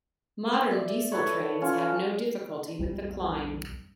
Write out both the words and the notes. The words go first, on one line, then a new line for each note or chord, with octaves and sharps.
Modern diesel trains have no difficulty with the climb.
D5 E5
A4 B4 C#5
C#4 F4
B1 F2 G3